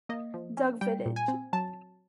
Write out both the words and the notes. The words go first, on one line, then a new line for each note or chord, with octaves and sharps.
Duck Village.
A#3 D#5
F3
C#4
G3 G5
A#2
G#5
C4
F#3 A5